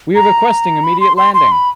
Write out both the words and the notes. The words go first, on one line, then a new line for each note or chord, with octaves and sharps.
We are requesting immediate landing!
A#5
B5
C6
C6
C6
B5